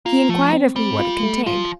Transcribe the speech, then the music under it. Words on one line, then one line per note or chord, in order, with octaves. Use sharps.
He inquired of me what it contained.
A#3 F4
F3 A3
C4
G3 C4
F4
A3
F3 F4